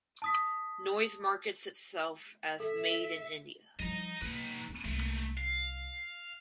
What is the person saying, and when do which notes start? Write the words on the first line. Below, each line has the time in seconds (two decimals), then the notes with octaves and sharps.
Noise markets itself as "Made in India".
0.22 A5 D#6 B6
2.60 A4 E5
3.79 F3 G3 D#5 A#5
4.22 A#3 D#4 B4
4.69 B3 C#4
4.85 C2 A3 A#3 D4
5.37 F5